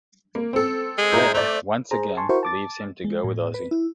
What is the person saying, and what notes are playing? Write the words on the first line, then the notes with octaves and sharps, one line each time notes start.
Claire once again leaves him to go with Ozzie.
A#3
C4 A4
G#3
E4 A#5 G6
A3 C5 D5
G#4 C5 A#5
G#5 A5 C6 C#6
E4 F#4 A#4 C5 C#6
A5 D6 A6
G#3
A2
B4
E4